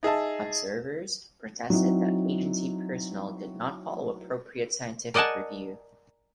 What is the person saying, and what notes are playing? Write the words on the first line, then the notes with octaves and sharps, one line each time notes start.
Observers protested that agency personnel did not follow appropriate scientific review.
D#4 G#4 E5 A5
F#3 C4 D#4 E4
A#4 D5 D#5 F#5 G#5 A5